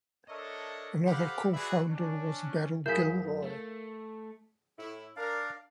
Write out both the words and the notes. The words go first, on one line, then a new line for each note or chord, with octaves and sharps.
Another cofounder was Beryl Gilroy.
D4 A4 A#4 C#5 D#5 E5
C4 G4 A4 F5 F#5 B5
F#4 G#4 B4 D5 E5 B5
C#4 D4
F#2 E4 G#4 A#4 F5 G6 B6
A3
A2 E4
D4 A#4 D5 F5